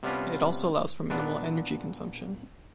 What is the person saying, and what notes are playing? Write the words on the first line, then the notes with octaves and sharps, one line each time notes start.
And it also allows for minimal energy consumption.
C3 G3 B3 C#4 F4
A#2 B3 D4